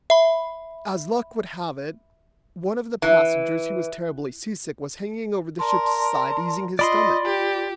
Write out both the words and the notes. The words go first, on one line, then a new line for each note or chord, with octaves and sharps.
As luck would have it, one of the passengers, who was terribly seasick, was hanging over the ship's side easing his stomach.
E5 B5
E3
A#4 D5 A5 C6
F4 D5 D#5 B5 C6
G4